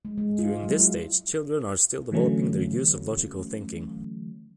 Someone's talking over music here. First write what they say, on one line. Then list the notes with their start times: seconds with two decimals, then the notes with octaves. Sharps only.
During this stage children are still developing their use of logical thinking.
0.05 G#3
0.18 G#3
0.39 F4
0.63 F#3
0.80 E4
2.12 D3 E3 F#3 A3 C#4